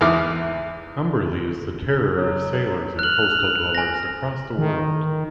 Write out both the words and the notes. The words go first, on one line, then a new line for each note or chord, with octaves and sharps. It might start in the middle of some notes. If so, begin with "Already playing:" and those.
Umberlee is the terror of sailors and coastal dwellers across the world.
E2 G#2 E3 D6 F6
F#3
F6 F#6 F#7
G#5 A#6
D#3